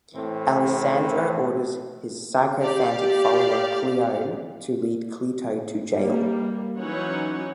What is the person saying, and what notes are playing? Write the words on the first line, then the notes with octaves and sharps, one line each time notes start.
Alessandro orders his sycophantic follower Cleone to lead Cleto to jail.
A2 E3 C4
G4 D5 F5
G3 A#3
E3 F#3 C#4 D#4 C#5 F#5